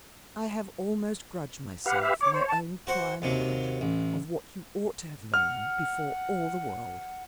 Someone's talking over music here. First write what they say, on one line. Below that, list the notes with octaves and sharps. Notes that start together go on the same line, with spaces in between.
I have almost grudged myself my own prior knowledge of what you ought to have known before all the world.
G4 B4 F5 F#5
E5
C#5 D6
C5
A5
F#4 C5 F#5
D#2 C3 F#3
A1
F#5 F6